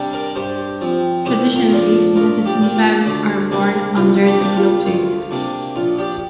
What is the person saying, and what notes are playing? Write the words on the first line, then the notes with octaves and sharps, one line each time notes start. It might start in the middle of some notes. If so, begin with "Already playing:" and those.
Traditionally, medicine bags are worn under the clothing.
Already playing: C3 G3 D4
A#4 D5
G2 G4 C5
F3 C4
C2 G4 C5
F4 A#4
A#2 F3 D4
A#1 F4 A#4
D4 G4
A#2 A#3 D4
F4
D2 D4
C3 A#3 D4
C2 F4
D4 G4
C3 A#3 D4
F4
D2 F4
C3 A#3 D4
A#1 F4
D4 G4